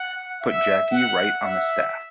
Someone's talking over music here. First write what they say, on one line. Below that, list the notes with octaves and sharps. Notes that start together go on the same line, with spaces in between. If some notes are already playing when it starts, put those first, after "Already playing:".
Put Jackie right on the staff.
Already playing: F#5
E5
F#5
E5